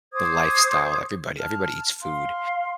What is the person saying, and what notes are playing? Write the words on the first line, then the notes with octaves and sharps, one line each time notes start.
the lifestyle everybody everybody eats food,
C5 D6 D#6 G#6
A5 F6
F5 C6